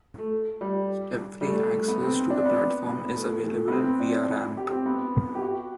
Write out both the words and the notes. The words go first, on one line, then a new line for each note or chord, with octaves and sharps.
Step-free access to the platform is available via ramp.
A3
G3
G3
A3
A3
A3
B3
C4
D4
B3
B3
A3
A3
B3
C4
D4
E4
G4
C4
B3
G4
F#4